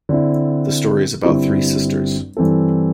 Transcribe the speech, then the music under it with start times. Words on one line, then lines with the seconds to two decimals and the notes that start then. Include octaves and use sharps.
The story is about three sisters.
0.09 D3 C4 E4
1.23 G1 G2 G3 C4 E4
2.37 G2 E3 C4 A4